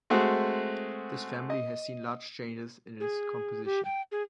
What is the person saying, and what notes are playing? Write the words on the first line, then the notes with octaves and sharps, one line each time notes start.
This family has seen large changes in its composition.
G#3 A3 C4 F#4 G#4
D#5
G#4
G4
G5
G#4